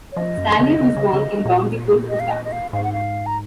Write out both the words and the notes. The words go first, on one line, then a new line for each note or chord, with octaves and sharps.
Staley was born in Bountiful, Utah.
C#5
F3 D#5
F#2
C#3
C#3
C#3
C#3
A#2
D#5
F5
D#5
D#5
F5
G#2 F5
F#5
F5
A#5